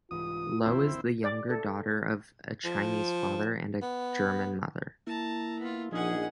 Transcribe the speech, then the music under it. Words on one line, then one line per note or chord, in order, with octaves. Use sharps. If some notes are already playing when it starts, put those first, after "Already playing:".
Loh is the younger daughter of a Chinese father and a German mother.
C2 G#2 E3 F4 D#6
F1 A#1 D#3 C4 E4
D5
A4
F3
B3
A#3 E4 A5 A#5
B3 F4
A#1 F3 C#4 D#4 G#4 F#5